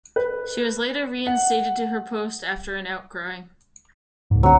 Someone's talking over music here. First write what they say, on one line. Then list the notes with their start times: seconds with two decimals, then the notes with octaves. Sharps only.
She was later re-instated to her post after an outcry.
0.16 B4
1.27 F#5
4.31 C#2 G#2
4.43 D3 F#3 A3 C4 F#4